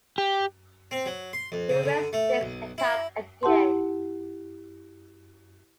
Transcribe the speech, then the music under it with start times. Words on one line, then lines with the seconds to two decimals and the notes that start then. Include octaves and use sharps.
The Red Sticks attacked again.
0.18 G4
0.91 C4
1.06 F#3
1.33 C6
1.52 F2
1.69 C#3
1.84 D3
2.13 A3
2.41 B1
2.78 E4
3.43 E4 G4 F#5 A5 C6